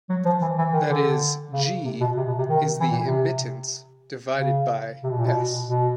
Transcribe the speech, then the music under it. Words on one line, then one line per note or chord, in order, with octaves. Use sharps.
That is, "g" is the immittance divided by "s".
F#3
F3
E3
E3
D#3
D3
C#3
C3
B2
C3
B2
C3
D#3
E3
A#2
C3
C#3
C3
B2
A#2
B2
B2